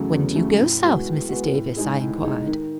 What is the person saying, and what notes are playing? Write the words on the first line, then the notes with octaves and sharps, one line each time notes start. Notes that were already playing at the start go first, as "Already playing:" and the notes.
"When do you go South, Mrs. Davis?" I inquired.
Already playing: E2 C#3 F#3 A3
E2
C#3 F#3 A3
A2
G#3 B3 F#4
A2
G#3 B3 F#4
A2
G#3 D#4 G#4
A2
G#3 D#4 G#4
D#3